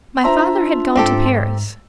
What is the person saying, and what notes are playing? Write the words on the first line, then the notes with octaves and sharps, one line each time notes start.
My father had gone to Paris.
D4 F4 C5 E5 A#5
G#2 C4 G4 A4